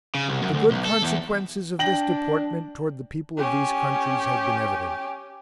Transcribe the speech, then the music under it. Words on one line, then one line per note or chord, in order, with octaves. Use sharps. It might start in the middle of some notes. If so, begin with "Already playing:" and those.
The good consequences of this deportment toward the people of these countries have been evident.
C#3
C2
F#2
D2
B1
A4
E2
D4 G5 A#6 F#7
C#4 G4